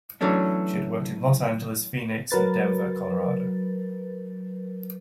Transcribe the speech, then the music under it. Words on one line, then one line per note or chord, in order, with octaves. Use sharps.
She has worked in Los Angeles, Phoenix and Denver, Colorado.
E3 F#3 A3 C#4 D4
F#3 A#4 B4 A6